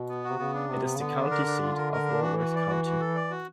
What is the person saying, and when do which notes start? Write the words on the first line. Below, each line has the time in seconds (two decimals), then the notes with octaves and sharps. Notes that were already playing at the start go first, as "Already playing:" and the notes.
It is the county seat of Walworth County.
Already playing: B2
0.09 B3
0.24 F#4
0.30 C3
0.39 C#3 B3
0.54 D4
0.69 C3 B3
0.85 B3
0.96 C#3
1.00 D3 B3
1.16 D4
1.31 A#4
1.46 D4
1.62 F4
1.78 A#4
1.93 A#4
2.08 D4
2.23 E3 F#4
2.38 F#4
2.55 D5
2.69 F#4
2.85 F#4
3.00 A4
3.15 D5
3.31 F#4